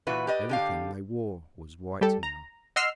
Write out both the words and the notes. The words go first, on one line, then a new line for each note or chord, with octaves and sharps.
Everything they wore was white now.
A#2 E3 E4 F#4 B4
G4 B4 D5 D#5
D3 G4 F5
G3 G4 A4
A#5
D#5 F#5 C6 E6 F6 C7